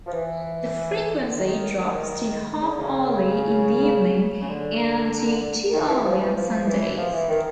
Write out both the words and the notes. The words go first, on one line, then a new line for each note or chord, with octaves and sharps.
The frequency drops to half-hourly in the evening and to two-hourly on Sundays.
F3
E3
D3
D#3
C#3
D3
C#3
C#3
D3
D#3
E3
F3
E3
F3
E3
F3
E3
D#3